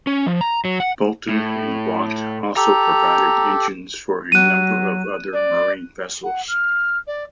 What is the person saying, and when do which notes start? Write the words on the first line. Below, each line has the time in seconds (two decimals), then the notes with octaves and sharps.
Boulton and Watt also provided engines for a number of other marine vessels.
0.07 C#4
0.26 F3
0.41 A#5
0.65 F#3
0.80 F#5
1.29 A2
2.57 G4 A4 A#5
4.32 F#3 F#6 D#7
5.33 D5
6.23 F#5
6.48 F6
7.07 D5